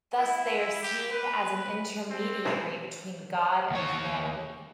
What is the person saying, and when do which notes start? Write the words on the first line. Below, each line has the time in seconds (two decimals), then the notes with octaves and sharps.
Thus they are seen as an intermediary between God and humanity.
0.18 E4
0.83 G4
1.12 B4
2.10 C4
3.71 D#2 C#5